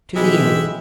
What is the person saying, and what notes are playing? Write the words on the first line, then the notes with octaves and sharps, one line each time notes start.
"To the end."
B1 E3 G#3 G4 E5 B5